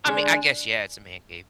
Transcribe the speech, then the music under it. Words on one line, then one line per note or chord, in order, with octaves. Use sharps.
I mean I guess, yeah, it's a man cave.
D3 G#3 D4 G#4